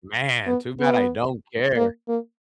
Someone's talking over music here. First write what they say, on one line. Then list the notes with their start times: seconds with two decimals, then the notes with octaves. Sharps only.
Man, too bad I don't care.
0.47 B3
0.80 B3
1.76 A#3
2.08 A#3